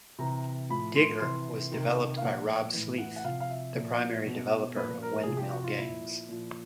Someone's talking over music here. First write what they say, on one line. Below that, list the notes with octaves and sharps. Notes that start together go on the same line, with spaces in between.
"Digger" was developed by Rob Sleath, the primary developer of Windmill games.
C3 E3 A#5
A2 F3 B5
C6
C3 E3 C6
C3 D#3
F5
A#2 F3 F#5
A2 E3
F#5
F#5
C3 F3 F5
F5
E5
A#2 F3
B2
A#2 F3 B4
A#4
C3 F3 G#4
G4
F#4
F4
A#2 F3 E4
A#2 F3